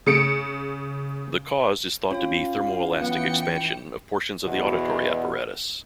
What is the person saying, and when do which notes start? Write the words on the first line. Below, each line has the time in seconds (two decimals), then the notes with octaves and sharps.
The cause is thought to be thermoelastic expansion of portions of the auditory apparatus.
0.06 C#3 C#7 D7
2.11 C#4 F4 C#5 F5
3.01 E3 B3 G5 C#7
4.46 E2 B2